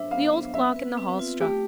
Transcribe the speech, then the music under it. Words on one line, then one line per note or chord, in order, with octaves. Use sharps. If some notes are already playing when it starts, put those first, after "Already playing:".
The old clock in the hall struck.
Already playing: D4 C5 E5
B3 F5
B3
C4 E5
B4
C4
F4
A3 G4